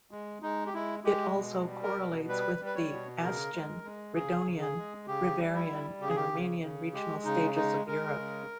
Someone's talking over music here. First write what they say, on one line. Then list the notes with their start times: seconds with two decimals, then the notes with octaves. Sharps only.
It also correlates with the Astian, Redonian, Reuverian and Romanian regional stages of Europe.
0.11 G#3
0.42 G#3 D#4
0.66 G4
0.74 G#3 E4
1.04 G#3 G4
1.35 B2
1.66 G3
1.83 A#4
1.97 B2
2.28 G3 B4
2.59 G3
2.65 B4
2.75 C#5
2.91 B2
3.22 C#3 A#4
3.53 G#3
3.84 G#3
4.14 C#3 G#4
4.45 C#3
4.61 G#4
4.77 G#3
5.07 C#3 G4
5.38 G3
5.54 E4
5.70 G3
6.00 C#3 G4
6.09 G#4
6.16 G4
6.32 C#3
6.63 C#3
6.94 G#3 G4
7.25 C#3 D#4
7.56 G#3 D#4
7.87 G#3 A#4
8.18 C#3